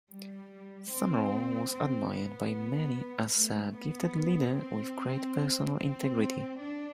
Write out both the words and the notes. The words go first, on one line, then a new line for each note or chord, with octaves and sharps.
Summerall was admired by many as a gifted leader with great personal integrity.
G3
C4
C4
B3
A3
B3
C4
C4
D4